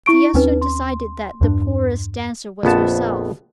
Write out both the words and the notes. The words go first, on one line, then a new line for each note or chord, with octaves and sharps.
Thea soon decided that the poorest dancer was herself.
E4 C#6 D7
D#2 C4 C#4 D#4 B4
C6
E2 G2 D4
A#1 F2 B3 A5